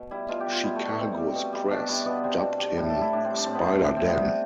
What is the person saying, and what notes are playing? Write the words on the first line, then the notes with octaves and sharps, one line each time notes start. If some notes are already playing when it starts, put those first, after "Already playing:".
Chicago's press dubbed him "SpiderDan".
Already playing: B2
G3 E4
B2 F4
G4
G3
F4
B2 E4
A3
G3
A3
B2 C4
G3
B2
G3
B2 D4
G3 E4
B2 B3
G3 C4
B2
G3
A2 E4
A4
G3
E4
A2 D4
C4
G3
D4
A2 C4
B3
G3 C4
A2 D4
C4
G3
B3
C3